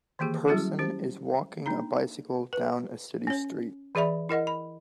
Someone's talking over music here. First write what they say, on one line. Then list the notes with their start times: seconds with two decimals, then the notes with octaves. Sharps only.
A person is walking a bicycle down a city street.
0.19 D#3 E3 A#3 G4 G#4
0.48 F#3 G3 C#4 E4 F#4 G#4
0.79 C#4 G4 C5
1.66 A#3 D4 D#4 A#5
2.53 B4
3.27 C#4 C#5
3.95 E3 G#4 D5 E5 B5
4.29 E4 A#4 D#5 F#5
4.47 B5